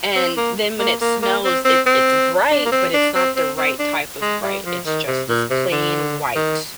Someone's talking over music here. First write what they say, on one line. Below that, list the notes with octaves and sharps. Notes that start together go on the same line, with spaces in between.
And then when it snows, it it's bright, but it's not the right type of bright. It's just this plain white.
C4
A#3
A#3
A#3
A#3
C4
C4
C4
D4
A#3
C4
D4
C4
C4
C4
D4
G#3
G3
F3
D#3
C3
A#2
C3
D3
D#3